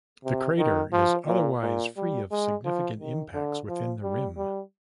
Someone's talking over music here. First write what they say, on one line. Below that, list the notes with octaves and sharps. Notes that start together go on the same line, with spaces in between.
The crater is otherwise free of significant impacts within the rim.
C3
D#3
F3
A#2
A#2
G3
G#3
F3
D#3
D3
F3
G3
G3